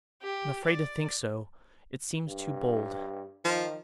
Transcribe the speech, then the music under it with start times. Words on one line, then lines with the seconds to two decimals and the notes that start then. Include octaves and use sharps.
I am afraid to think so; it seems too bold.
0.22 G4
0.64 D5
2.28 G2
3.45 D#3 F3